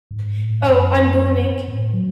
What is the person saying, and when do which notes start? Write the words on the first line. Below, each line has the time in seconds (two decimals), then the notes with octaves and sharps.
Oh, I’m burning!
0.11 G#2
0.36 A2
0.63 F#2
1.68 A2
1.94 F#3